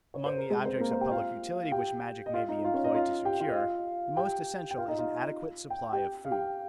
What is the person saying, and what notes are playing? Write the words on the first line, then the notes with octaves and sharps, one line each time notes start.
Among the objects of public utility which magic may be employed to secure, the most essential is an adequate supply of food.
C#5
C5
A#4
G#3 G#4
C4 C5
A#3 A#4
C4 C5
G4 G5
F4 F5
G4 G5
D#5
F4 F5
D#4 D#5
F4 F5
C#4 C#5
D#4 D#5
F4 F5
G4 G5
F4 F5
D#5
F4 F5
G4 G5
G5
F4 F5
D#4 D#5
F4 F5
G5
G4 G5
F5
G4 G5